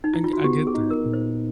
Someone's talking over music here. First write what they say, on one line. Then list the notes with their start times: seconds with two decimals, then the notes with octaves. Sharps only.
I I get that.
0.04 D#4
0.14 E4
0.24 F4
0.33 F#4
0.44 B3 G4
0.67 G#4
0.75 D#4
0.90 A#4
1.06 A#2
1.13 C5